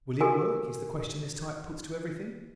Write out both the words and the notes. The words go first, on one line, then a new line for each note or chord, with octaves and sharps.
"Will it work?" is the question this type puts to everything.
F#4 G4 A4 A#4 G#5